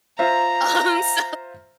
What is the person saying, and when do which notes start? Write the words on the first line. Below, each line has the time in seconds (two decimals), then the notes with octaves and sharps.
Um, so,
0.19 F4 C5 E5 A#5